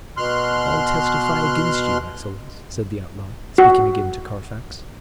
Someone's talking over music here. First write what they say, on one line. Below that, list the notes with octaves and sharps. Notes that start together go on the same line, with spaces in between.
"All testify against you, excellence," said the outlaw, speaking again to Carfax.
B2 C6 F6 F#6
F#4